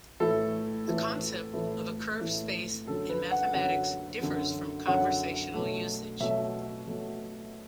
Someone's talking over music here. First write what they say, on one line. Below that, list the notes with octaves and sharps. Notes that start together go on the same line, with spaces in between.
The concept of a curved space in mathematics differs from conversational usage.
A2 E3 A3 E4 A4
A2 E3 A3 E4
A2 E3 A3 E4
A2 E3 A3 E4
F#2 D3 F#3 A4
B4
F#5
F#2 D3 F#3 F#5
F#2 D3 F#3
F#2 D3 F#3 F#5
B2 F#3 A3
B2 F#3 A3 E5
B2 F#3 A3